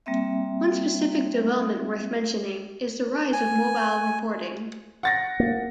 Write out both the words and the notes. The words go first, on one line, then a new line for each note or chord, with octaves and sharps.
One specific development worth mentioning, is the rise of mobile reporting.
G3 A#3 C4 E5
G#5
F#5 A6 A#6
A#3